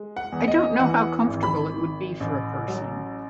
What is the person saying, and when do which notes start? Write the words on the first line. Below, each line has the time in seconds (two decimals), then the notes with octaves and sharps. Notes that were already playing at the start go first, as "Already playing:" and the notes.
I don’t know how comfortable it would be for a person.
Already playing: G#3
0.16 F#5
0.32 E2
0.48 D#5
0.79 E3 F#5
1.27 G#1
1.43 B5
1.74 D#3
2.20 A1
2.68 F#3